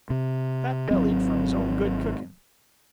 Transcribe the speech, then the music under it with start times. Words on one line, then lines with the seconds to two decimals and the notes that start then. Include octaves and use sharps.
Fat-bellied from his own good cooking.
0.10 C3
0.91 G#1 F#3 C4